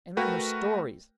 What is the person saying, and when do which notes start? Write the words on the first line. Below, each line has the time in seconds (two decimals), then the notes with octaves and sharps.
And then her stories!
0.17 A3 F#4 A#4 B4 G5